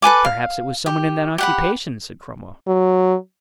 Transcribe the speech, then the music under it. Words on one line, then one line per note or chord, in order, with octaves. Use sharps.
"Perhaps it was some one in that occupation," said Cromwell.
A4 B4 G#5 D6
F5
G4
G4 F#5 B5
F#3